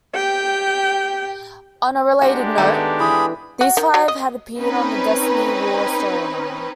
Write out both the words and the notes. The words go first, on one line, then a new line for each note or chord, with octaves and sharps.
On a related note, these five had appeared in the "Destiny War" storyline.
G4 G5
G#3 D4 F#4 G4 A#4 C6
D#3 A3 B3 D#4 F#4 A4
E3 G#4 G5 B5
F#4
D#3
F#3
D#5
C4 C#4 D#4 B4